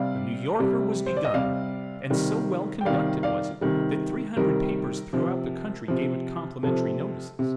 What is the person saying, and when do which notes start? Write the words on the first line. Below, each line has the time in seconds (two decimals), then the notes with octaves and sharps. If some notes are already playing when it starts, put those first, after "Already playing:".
The "New Yorker" was begun, and so well conducted was it that three hundred papers throughout the country gave it complimentary notices.
Already playing: C3 G3 D5 F5
0.60 C3 G3
1.06 C5
1.17 D5
1.25 D#5
1.34 C3 G3 D5 F5
2.10 C3 D#3 G3
2.81 G5
2.85 C3 D#3 G3 D5 F5
3.23 D5 F5
3.61 C3 D#3 G3
4.36 C3 D#3 G3 A#4
5.13 C3 F3
5.88 C3 F3
6.63 C3 F3 A4
7.39 C3